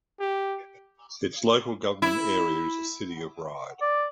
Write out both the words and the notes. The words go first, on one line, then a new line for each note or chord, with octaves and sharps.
Its local government area is the City of Ryde.
G4
E4
D5